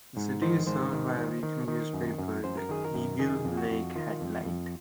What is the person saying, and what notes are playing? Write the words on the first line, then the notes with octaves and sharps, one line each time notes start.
The city is served by a weekly newspaper, the "Eagle Lake Headlight".
G#2
D#3 C5
G#2 C5
D#3
D#3
D#3
D#3
F#2
F#2
F#2 C5
A#4
D#3 G#4
A#4
F#2
D#3 G#4
F2
F#4
F2
D#3 F4
F2
F2